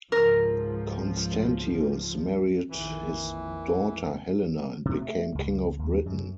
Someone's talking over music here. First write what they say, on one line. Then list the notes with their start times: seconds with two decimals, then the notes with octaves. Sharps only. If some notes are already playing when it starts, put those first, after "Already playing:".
Constantius married his daughter Helena and became king of Britain.
0.12 C#2 G#2 F3 A#4
2.70 A#1 F2 D#3 E3
4.85 C3
5.01 A3
5.35 C#2
5.79 D#2
6.06 F#2